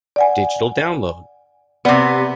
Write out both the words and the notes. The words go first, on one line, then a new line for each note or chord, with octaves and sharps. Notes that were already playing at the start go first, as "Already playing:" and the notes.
Digital download.
D5 F#5 G#5
C3 B3 D5